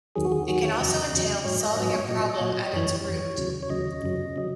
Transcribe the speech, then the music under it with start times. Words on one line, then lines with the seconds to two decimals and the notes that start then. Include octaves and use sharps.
It can also entail solving a problem at its root.
0.16 D#2 D#3 F#3 G#4
0.25 F#4
0.32 G#4
0.48 D#2 D#3 F#3 F#4
0.65 C#5
0.80 E2 C#3 F#3 D#5
1.13 E2 C#3 F#3
1.44 G#2 F#3 C#5
1.61 D#5
1.76 G#2 F#3 D#5
1.93 C#5
2.09 A#2 F#3 D#5
2.25 D#5
2.37 A#2 F#3 C#5
2.49 D#5
2.73 F#2 E3 C#5
3.05 F#2 E3 C#5
3.37 D#2 C#3 F#3
3.63 C#5
3.69 D#2 C#3 F#3 D#5
4.02 F#2 C#3 F#3
4.36 C#3 F#3